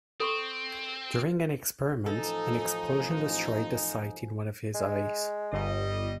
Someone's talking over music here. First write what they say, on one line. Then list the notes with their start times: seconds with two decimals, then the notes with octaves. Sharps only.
During an experiment, an explosion destroyed the sight in one of his eyes.
0.20 C4 A4 C6 C#6
2.06 A1 F3 D#4 A4 G#5
4.74 G#3
5.52 G1 G3 D#5